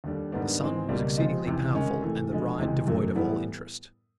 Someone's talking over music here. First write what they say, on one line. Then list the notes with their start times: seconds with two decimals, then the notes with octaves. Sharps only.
The sun was exceedingly powerful, and the ride devoid of all interest.
0.04 D#2 D3 G3
0.32 G#2 D#3 G3 B3 D4
0.60 G#2 E3 G#3 C4
0.89 C#2 B2 G3 A#3
1.17 C3 F3 G#3 C4 D#4
1.45 C#2 C3 E3
1.74 D#3 G#3 C#4
2.02 C3 E3 A3
2.30 D3 F3 G#3
2.58 C#2 C3 E3 G#3
2.86 F#2 D#3 F#3 A3
3.15 A2 E3 G3 B3 E4